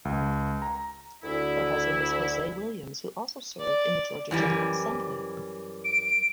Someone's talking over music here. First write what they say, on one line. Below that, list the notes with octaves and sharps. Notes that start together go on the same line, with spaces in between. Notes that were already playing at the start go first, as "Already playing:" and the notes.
Her husband was Hosea Williams who also served in the Georgia General Assembly.
C#2
A#5
D2 E4
D5
F#2 E3 G3
D7